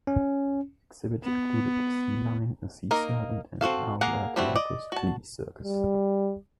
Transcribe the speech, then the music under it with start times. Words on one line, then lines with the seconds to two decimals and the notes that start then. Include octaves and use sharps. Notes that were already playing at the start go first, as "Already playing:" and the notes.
Exhibits included a sea lion, a sea serpent and L. Bertolotto's Flea circus.
0.07 C#4
1.24 B3
2.91 A#3 D#4 A#4
3.61 C4 F#4 A4 F5
4.01 A#3 G#4 A#4 F5 F#5
4.36 G3 A3 C4 E4 F#4
4.56 D5 D#5
4.92 F#4 A5
5.63 G3